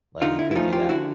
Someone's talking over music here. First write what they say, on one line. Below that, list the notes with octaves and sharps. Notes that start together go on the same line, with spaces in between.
like, he could do that.
D3 D#4 F4
E4
E4
F3 A3 C#4 D#4 F4
F4 G4
D3 E4 F#4